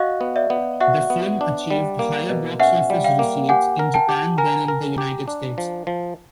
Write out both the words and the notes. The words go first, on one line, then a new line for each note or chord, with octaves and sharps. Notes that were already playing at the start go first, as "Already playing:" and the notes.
The film achieved higher box office receipts in Japan than in the United States.
Already playing: F#4 D#5 F5
B3
D5 E5
B3
F#4 E5 F#5
B3
D4
G3
A#3
B2
C#4 E5 F#5
G3
F5 G5
A#3
G4 F#5 G#5
A#4
G5 A5
G4
A#4 G#5 A#5
A#4
G4
D4
F3
F3